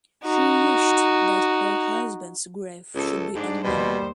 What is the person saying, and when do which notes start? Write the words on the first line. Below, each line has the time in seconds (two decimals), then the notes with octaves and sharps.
She wished that her husband's grave should be unknown.
0.24 D#4 F#4
2.95 C#2 A4
3.35 G#2 D4
3.64 D#2 B2 G3 C5